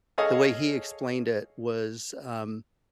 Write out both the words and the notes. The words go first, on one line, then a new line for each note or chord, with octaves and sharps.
the way he explained it was, um,
G#4 A4 C#5 D#5 F5